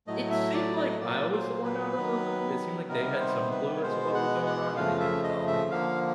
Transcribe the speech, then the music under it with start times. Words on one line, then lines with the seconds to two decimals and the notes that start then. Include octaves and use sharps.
It seemed like I was the one outta the loop. It seemed like they had some clue as to what was going on, and they didn't tell me.
0.07 A2 F#3 A3 D#5
0.30 E5
0.54 D5
0.77 D#5
1.00 A#2 F#3 A#3 D5
1.33 C5
1.64 B4
1.95 D#3 F#3 B3
2.89 C3 D#3 G3 B3 A#4
3.20 C5
3.51 B4
3.76 C#5
3.82 B2 G#3 B3 C5
4.14 F#5
4.46 F#5
4.76 C#3 F3 A3 F5
5.00 E5
5.24 D#5
5.47 E5
5.70 D3 F3 A#3 F5